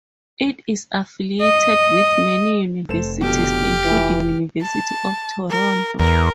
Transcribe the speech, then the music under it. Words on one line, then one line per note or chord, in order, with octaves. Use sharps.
It is affiliated with many universities, including University of Toronto.
D#5
F1 A4 C5 E7
B2 D3 F3 G4 F6
E3 F4
A5
A#4
E2 A#4